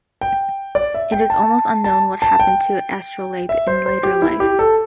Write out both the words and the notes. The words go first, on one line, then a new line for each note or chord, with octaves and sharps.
It is almost unknown what happened to Astrolabe in later life.
G5
D5
E5
G5
A5
A5
A5
G5
E5
C5
C5
G4
E4
G4
A4